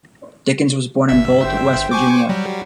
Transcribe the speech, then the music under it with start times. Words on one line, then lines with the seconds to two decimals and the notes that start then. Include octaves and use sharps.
Dickens was born in Bolt, West Virginia.
1.09 G1 E5
1.41 C5 G5
1.91 G#5 C#6 D6
2.29 F#3 G3